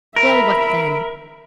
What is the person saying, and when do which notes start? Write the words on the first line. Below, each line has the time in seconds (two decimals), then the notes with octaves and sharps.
Well, what then?
0.16 A#4 E5 B5